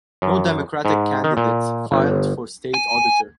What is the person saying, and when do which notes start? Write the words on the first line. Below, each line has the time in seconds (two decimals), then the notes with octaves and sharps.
No Democratic candidates filed for State Auditor.
0.22 F#2
0.85 G#2
1.24 D#3
1.37 A#2
1.92 G1
2.74 G#5